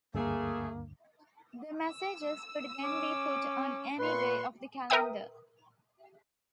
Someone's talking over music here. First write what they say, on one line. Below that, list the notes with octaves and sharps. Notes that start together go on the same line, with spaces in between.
These messages could then be put on any day of the calendar.
D2 G2 D3 A3 A#3 G#4
E6
C#4 D6
A#2 B4 C6 C#6 F#6
A#4 B4 E5 G5 D#6